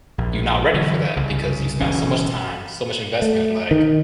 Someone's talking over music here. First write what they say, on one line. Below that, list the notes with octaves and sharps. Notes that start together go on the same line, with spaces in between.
you're not ready for that because you spent so much time, so much investment like
A#1
D3 E3 F#3
C2 C#3
F#1 B2 E3 C#4
A3
D#3